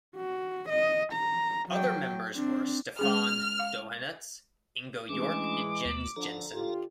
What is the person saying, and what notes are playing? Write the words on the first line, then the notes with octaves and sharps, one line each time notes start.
Other members were Stefan Dohanetz, Ingo York and Jens Jensen.
F#4
D#5
A#5
F#3 G5
C4 D4
G#3 C#4 G#4 F6
F5
E3 G#3 A3 C#4 D4 D6
D#2 A3 B3
D3 F3 A4 A#5
D3 F4 G4